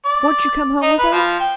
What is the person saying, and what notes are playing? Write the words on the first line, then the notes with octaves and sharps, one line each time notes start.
"Won't you come home with us?"
D5
D#4
B4
F3
G5